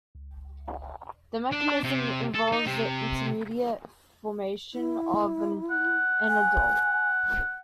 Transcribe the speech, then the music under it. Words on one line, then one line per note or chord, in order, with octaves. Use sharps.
The mechanism involves the intermediate formation of an "enediol".
C#2
D4
C3
A4
D#4
C3
E4
F#5
G#5